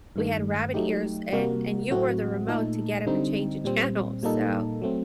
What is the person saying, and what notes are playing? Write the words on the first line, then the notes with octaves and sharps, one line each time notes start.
we had rabbit ears and and you were the remote to get up and change the channel, so
G2 D#3 A3
F#3 A3 D#4 G4
C3 G3 A#3 F#4 A#4
A2 F#3 A3 C4 F#4
A#2 A3 D#4 A4
D3 G3 C4 D#4
A#2 G3 C4
A#2 G3 A#3 D#4 A4
F#3 A3 C4